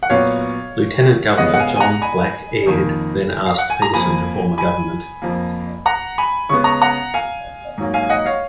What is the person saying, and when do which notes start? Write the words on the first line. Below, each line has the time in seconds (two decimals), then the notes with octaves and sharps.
Lieutenant-Governor John Black Aird then asked Peterson to form a government.
0.03 F#5
0.10 A#2 F#3 B3 C#5 F5
1.38 C#3 G#3 B3 D#5 F#5
1.54 F#5
1.59 F5 G#5
1.76 G#5
1.80 F#5 A#5
2.02 G#5 B5
2.66 F2 D#3 A#3
3.46 F5
3.58 F#5
3.70 G#5
3.82 A#5
3.94 F2 F3 A#3 G#5 B5
4.58 G#5 B5
5.22 F2 F3 A#3
5.86 F#5 A#5
6.18 G#5 B5
6.49 C#3 G#3 B3 C#6
6.64 A#5 C#6
6.82 F#5 A#5
7.14 F5 G#5
7.78 G#2 F#3 A#3
7.94 F5 G#5
8.10 D#5 F#5
8.26 C#5 F5